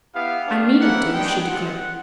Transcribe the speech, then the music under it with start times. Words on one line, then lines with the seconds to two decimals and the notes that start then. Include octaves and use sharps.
"I mean it to," she declared.
0.13 B3 E4 G4 F5
0.47 B3 D4 G4
0.80 A#3 C#4 E4 G4 F#5
1.13 G#3 B3 D4 G4 G5
1.46 G#3 C4 F4 F#5